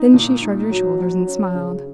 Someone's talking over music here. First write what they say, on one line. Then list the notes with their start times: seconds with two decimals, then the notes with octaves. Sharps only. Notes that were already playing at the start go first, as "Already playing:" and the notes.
Then she shrugged her shoulders and smiled.
Already playing: D#4
0.14 A#2
0.42 D#4
0.70 F#3
0.98 F#3
1.27 C#4
1.55 C#3